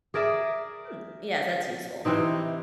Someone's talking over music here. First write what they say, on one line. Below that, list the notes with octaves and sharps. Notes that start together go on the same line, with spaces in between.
Hmm. Yes. That's useful.
G#4 A#4 D5 E5
C3 E3 C4 D#4